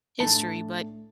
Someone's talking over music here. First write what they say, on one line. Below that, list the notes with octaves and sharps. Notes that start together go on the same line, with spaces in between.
history, but
A2 A3 D4 A5